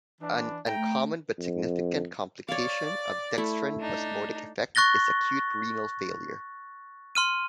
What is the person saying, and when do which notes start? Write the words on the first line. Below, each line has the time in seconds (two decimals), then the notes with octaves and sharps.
An uncommon but significant complication of dextran osmotic effect is acute renal failure.
0.20 E3 D4
0.66 A3 G5 A#5
1.38 F2
2.48 C#5 D5 F5 D6
3.38 A3 E4
3.79 D4 D#4
4.75 C#6 F#6 A6 A#6 G7
7.15 C6 F6 D#7